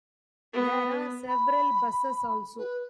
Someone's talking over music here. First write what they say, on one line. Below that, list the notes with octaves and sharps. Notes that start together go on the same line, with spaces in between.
There are several buses also.
B3
B5
B4